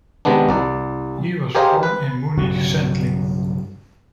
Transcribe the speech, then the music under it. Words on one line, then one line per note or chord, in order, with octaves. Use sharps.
He was born in Munich-Sendling.
C3 D#3 G#3 B3 D4
C2 D5
G4 G#4 A#4 C5 D#5 F5
B4
B1 G2 C#3 F#3